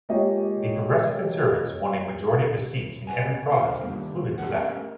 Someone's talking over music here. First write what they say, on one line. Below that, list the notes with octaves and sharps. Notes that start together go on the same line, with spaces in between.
The Progressive Conservatives won a majority of the seats in every province, including Quebec.
G#3 A#3 F4 G4 C#5 D#5
B4 F#5 G#5
A3 A#3 D4 F4 A#4 C5
D3 D#3 G3 A#3
B1 A2 D4 F#4 A#4 F#5
A3 C#4 G4 A#4 A#5